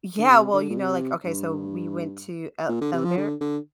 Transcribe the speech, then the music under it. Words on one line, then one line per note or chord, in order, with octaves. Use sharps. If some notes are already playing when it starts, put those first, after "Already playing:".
yeah well, you know like, okay so we went to el elemer
D3
C3
D3
A#2
C3
G2
A#2
D3
C3
F3
D3
D3